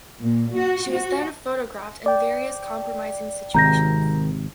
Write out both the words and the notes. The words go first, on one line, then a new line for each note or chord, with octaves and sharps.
She was then photographed in various compromising situations.
A#2
F#4
F#4
D5 G5
G#1 C3 D#3 A#5 G6 A#6